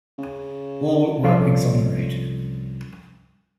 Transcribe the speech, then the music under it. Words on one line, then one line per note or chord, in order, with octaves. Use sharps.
All were exonerated.
C#3
C2 F3 C#4 A4 D5 F5